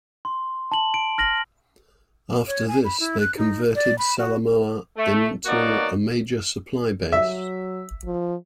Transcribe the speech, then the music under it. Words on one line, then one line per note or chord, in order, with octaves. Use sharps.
After this they converted Salamaua into a major supply base.
C6
A5 F#7
D7
F6 A#6 F#7
C#5
G#5
B5
E4
F#6
D#4
D5
B5
F#4
A3
B2 F#3 A#3 D#4 F#4 D5
F#3 E5
F3